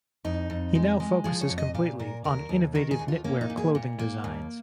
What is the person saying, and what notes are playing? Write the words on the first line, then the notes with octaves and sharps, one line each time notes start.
He now focuses completely on innovative knitwear clothing designs.
F2 D#4
F2
G#3
G#3
F3 G#4
C#5
F2
D#5
A#2 F5
A#2 A#4
D#2 A#4
D#2
D#3 A#4
G#4
D#2
F4
A#3 C#4
D#4
A#2
G#4
A#2
A#3
D#2